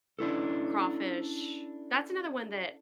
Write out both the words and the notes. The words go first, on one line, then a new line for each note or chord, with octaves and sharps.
crawfish that's another one that
C#4 D4 E4 A4